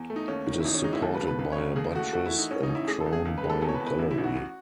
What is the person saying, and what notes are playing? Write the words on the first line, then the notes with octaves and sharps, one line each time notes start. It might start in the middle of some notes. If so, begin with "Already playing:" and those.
It is supported by a buttress and crowned by a gallery.
Already playing: E2
A3
D#4
D#2 C#4
D#3
E4
G#1 D#4
C#4
G#3 D#4
E4
D#2 A4
B4
D#2
B4
C#2 B4
C#5
C#2
D#2 G#4
A3 F#4
A3 F#4
E4
E3
D#4
A1 C#4
D#4
A1
E4
A3 G#4
A4
C#2
G#4
C#2
B4
G#3
A4
E2 A4
C#5
B4
E2
B4
A1 E4
E4
A1
F#4